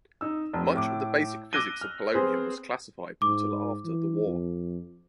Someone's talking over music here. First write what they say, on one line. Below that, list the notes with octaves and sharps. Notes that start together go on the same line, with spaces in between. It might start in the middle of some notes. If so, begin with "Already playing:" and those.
Much of the basic physics of polonium was classified until after the war.
D#4 E6
F1
A2 D6
D6 E6 F#6 A#6 D#7 G7
F6
B3 C4 G#4 C5
G#2 D6
E3
F2